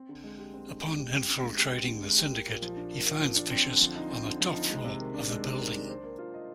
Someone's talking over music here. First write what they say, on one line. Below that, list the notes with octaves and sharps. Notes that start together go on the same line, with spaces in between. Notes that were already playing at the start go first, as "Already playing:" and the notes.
Upon infiltrating the syndicate, he finds Vicious on the top floor of the building.
Already playing: C4
D3
G#3
G4
C4
D3
G#3
G4
C4
D3
G#3
G4
C4
D3
G#3
G4
A#3
A#2
F3
D4
A#3
A#2
F3
D4
C4
D3
F3
D#4
C4
D3
F3
D#4
G#3
C3
D#3
D4
G#3
C3
D#3
D4
C5
A#3
F4
D#5